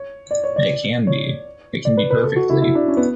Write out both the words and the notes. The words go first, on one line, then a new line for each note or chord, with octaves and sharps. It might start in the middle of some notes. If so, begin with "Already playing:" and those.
It can be. It can be perfectly.
Already playing: C#5
D5
C#5
D5
C#5
D5
B4
B4
A4
F#4
E4
E4
D4
C#4
B3